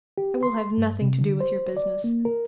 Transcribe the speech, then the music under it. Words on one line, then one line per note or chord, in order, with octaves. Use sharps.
I will have nothing to do with your business.
G4
C6
G2
C3
D3
C5
D5
A#3
A#4